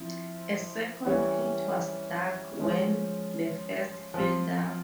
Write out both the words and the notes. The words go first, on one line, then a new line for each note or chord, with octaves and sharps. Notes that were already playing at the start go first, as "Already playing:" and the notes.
A second pit was dug when the first filled up.
Already playing: F3 C4 E4
E3 G3 C#4
F3 G#3 C#4
F3 C4 F4